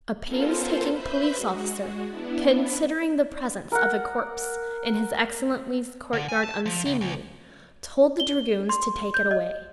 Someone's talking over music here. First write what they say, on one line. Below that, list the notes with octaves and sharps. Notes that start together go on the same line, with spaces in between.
A painstaking police officer, considering the presence of a corpse in his excellency's courtyard unseemly, told the dragoons to take it away.
B3 C#4 F4 A4 A#4 C5
B4 C5 E5 B5 G6
G#3 F#4
B3 D4 E4
A#4 F#5
D3
G#5
A5
F3
C#2
C#2
G7
C6
G6
D#5